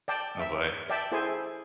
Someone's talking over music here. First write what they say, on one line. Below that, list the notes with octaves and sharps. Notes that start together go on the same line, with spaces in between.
Oh, boy.
D5 G5 A5
E5
D5 E5 G5 A5
E4 G#4 A4 C5 G#5